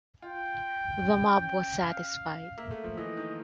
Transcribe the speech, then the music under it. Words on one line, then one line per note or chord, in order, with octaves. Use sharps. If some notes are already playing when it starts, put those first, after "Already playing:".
The mob was satisfied.
F4 G5
C#4
G5
F5
A#3 E5
A3
F3
E3 D#5
D#3